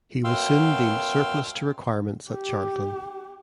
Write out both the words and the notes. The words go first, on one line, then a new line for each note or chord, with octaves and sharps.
He was soon deemed surplus to requirements at Charlton.
F#2 B2 F5 G5 C6 E6
G4